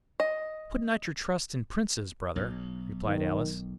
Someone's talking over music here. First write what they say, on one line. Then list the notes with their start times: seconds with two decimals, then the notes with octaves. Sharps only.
"Put not your trust in princes, brother," replied Alice.
0.20 D#5
2.36 B1
3.05 D#3